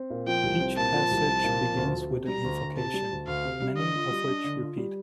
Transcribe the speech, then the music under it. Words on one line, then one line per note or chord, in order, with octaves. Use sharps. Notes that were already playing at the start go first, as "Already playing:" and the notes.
Each passage begins with an invocation, many of which repeat.
Already playing: C4
A#2
F3 G5
C2
C4
A#2 A5
F3
C2
C4
A#2
F3
D2
D2
C3
G3 A#5
D2
D2
C3 A5
G3
D2
D2 F5
C3
G3
D3 D#5
F4
G3
D4
D3
F4
G3